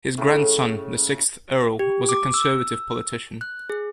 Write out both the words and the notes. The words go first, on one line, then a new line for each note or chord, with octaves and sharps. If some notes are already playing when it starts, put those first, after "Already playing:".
His grandson, the sixth Earl, was a Conservative politician.
A2 C#3
G4
D6
E6
F#6
G#4